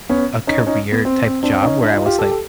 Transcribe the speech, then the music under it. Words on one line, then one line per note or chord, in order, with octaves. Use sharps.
a career-type job where I was like,
B3 C#4
C#4 D#4
C#4 D#4
B3
C4
C4
C4 D4
C#4 D#4
D4 E4
D#4 F4
F4 G4
G4 A4
A4